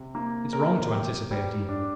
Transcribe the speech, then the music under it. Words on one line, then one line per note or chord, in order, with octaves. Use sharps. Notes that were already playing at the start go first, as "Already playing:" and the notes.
'It's wrong to anticipate evil.
Already playing: C3
A#3
A#4
G4
G3
D4